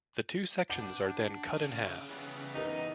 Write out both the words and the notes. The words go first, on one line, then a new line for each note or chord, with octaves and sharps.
The two sections are then cut in half.
D4 F#5 D6 G6
C#3
E3 G3 B3
D#4 G4 A#4